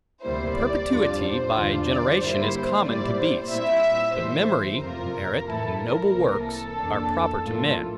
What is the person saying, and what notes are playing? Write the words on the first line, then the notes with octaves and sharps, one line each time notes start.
The perpetuity by generation is common to beasts; but memory, merit, and noble works, are proper to men.
D2 C3 G3 A#3 E4 C5
D5
F2 D3 G3 D4 F4
C5
E2 D3 G3 D4 F4
D5
G2 D3 G3 A#3 E4 C5
A#2 G3 C4 E4 D5
C5
A#2 G3 C4 E4 E5
A2 E3 G3 C5
F2 C3 F3 A#3 F4 A#4
A2 E3 A3 E4 A4
A#4
C2 C3 E3 A#3
A4
F2 E3 A#3 D4
A2 F3 A#3 F4